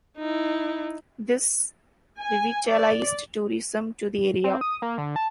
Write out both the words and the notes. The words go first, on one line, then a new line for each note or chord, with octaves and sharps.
This revitalized tourism to the area.
D#4 E4
G#5
D5
C4
D#6
A#3
D3
A5